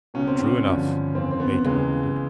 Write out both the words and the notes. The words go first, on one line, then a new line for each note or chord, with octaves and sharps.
"True enough," Ato admitted.
C#2 B2 C#4
C4
C#4
G2 D3 F3
F2 C#3 E3 C4
C4
B3
C#2 C#3 E3 G#3